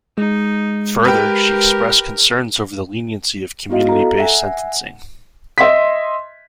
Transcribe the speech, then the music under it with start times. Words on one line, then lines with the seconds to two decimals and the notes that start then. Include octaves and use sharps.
Further, she expressed concerns over the leniency of community-based sentencing.
0.18 G#3 D#4
1.05 G4 A#4 B4 G5
3.70 B3 E4 F#4 D#5 F5
3.89 A4 A#5
4.18 E5 F#5 G#5
5.58 D#5 E5 C6 B6